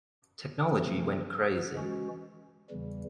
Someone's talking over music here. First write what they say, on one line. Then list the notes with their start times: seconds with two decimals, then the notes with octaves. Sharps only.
Technology went crazy.
0.79 C3 F3 A3 C4
1.74 E3 G#3 C#4 F#4
2.70 E2 C#3 E3 G3